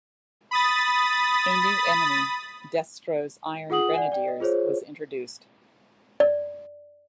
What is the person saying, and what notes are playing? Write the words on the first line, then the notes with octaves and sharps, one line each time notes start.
A new enemy, Destro's Iron Grenadiers, was introduced.
B5 D#6 A6
F4 G#4 F#5 D#6 F#7
D5 F#5 G#5
D5 G5
D#5
F4 G#4 C5 C#5
D5